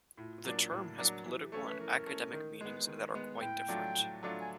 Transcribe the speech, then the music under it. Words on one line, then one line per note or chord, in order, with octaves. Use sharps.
The term has political and academic meanings that are quite different.
A2 F4
F#3 A#3 D4
A2
F#3 A#3 D4
E3 F#4
G4
A3 C#4 A4
B4
E3 A#4
A3 C#4
D#3
G#3 B3
D#3
G#3 B3
A2 G5
F#3 A3 D4 F4
A2
F#3 A3 D4 F4
G#5